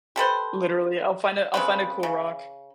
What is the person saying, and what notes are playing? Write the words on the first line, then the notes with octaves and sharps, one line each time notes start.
Literally, I'll find a I'll find a cool rock.
G4 A4 B4 C5
C#3 C4 B4
C#3